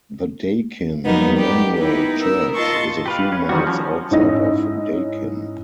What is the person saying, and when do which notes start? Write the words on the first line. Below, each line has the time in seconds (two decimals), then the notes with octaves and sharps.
The Daykin Immanuel Church is a few miles outside of Daykin.
1.05 F2 F#3 G3 A#3 B3 D#4
1.37 G4
1.77 B3 D#4 E4 B4
2.17 B3 A#4 E6
2.55 F4 D#5 A5 C6 C#6
3.06 G4 B4 F5
3.32 C#4
3.49 D#3 E3 G3 F#4
3.67 F3 C#4
4.11 G#2 C#4 E4 D#5 A#6